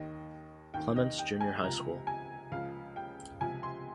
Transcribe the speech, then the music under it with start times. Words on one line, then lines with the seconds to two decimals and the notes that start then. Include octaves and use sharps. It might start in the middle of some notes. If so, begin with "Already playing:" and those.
Clements Junior High School.
Already playing: D#2 D#3 D#5
0.74 D#2 D#3 G5
0.96 D#5
1.18 G5
1.41 G#5
1.63 C#2 C3 F3 A#5
2.07 G#5
2.52 C#2 C#3 F3 F5
2.96 G5
3.41 C#2 C3 F3 G#5
3.63 C6